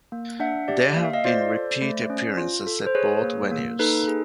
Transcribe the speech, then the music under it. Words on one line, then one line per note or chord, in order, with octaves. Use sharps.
There have been repeat appearances at both venues.
A#3
D4 E5 F#5
G4 D5 E5
A#3 F5
E5
D#5 F5
F4 C5 D5
A4
A3
C#4
F4
A4
C5
G#4 B4 C#5
A#3
A#3
D#4 A4 B4
G#4